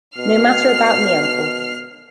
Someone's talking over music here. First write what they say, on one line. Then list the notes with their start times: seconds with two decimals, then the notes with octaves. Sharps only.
No matter about me, uncle.
0.18 B2 F6 C7